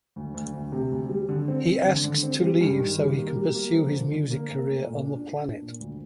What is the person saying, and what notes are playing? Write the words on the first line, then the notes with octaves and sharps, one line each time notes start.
He asks to leave so he can pursue his music career on the planet.
D2
D2
D2
C3
D2
G3
D3
C4
C4
D3
D3
C4
G3
G2
D#3
G3
A#3
G3
A#3
F3
D3
D3
A#3
A#3
A3
A#2
D4
D4
D4
A#2
D2